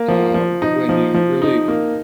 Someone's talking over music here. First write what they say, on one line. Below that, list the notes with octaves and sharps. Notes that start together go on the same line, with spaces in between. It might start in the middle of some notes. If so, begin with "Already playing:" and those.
uh, when you really
Already playing: A#3
F3
F3
D#4
F3
F3
D#4
A#3